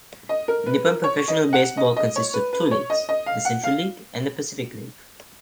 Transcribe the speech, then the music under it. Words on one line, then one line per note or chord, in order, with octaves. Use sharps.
Nippon Professional Baseball consists of two leagues, the Central League and the Pacific League.
D#5
A#4
B4
A#4
C#5
D#5
F#5
D#5
D#5
C#5
B4
B4
C#5
D#5
D#5
F5
F#5
F5